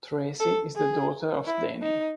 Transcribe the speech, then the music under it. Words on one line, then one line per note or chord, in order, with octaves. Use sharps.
Tracy is the daughter of Dany.
A4
G#4
E4
D#4